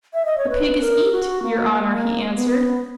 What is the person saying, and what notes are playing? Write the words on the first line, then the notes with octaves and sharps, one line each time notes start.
"The pig is eat, your honor," he answered.
E5
D#5
C#5
B4
A#4
F#4
A#3
A#3
B3